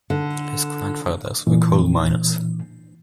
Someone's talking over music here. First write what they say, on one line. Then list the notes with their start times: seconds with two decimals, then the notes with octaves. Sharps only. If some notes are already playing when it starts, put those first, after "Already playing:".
His grandfathers were coal miners.
0.10 D3
1.47 A#2 E3